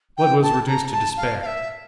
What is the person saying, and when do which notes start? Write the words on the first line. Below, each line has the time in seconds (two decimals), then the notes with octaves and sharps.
Blood was reduced to despair.
0.17 G5
0.42 A5
0.67 A#5
0.92 A5
1.17 F5
1.42 F5
1.46 E5